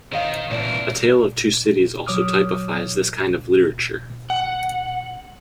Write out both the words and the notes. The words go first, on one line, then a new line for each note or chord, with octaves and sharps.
"A Tale of Two Cities" also typifies this kind of literature.
D#3 C5 D#5 F5
C2 A#2 E3 D4 A#4
F#3 C#5 D6 D#6 F6
F#5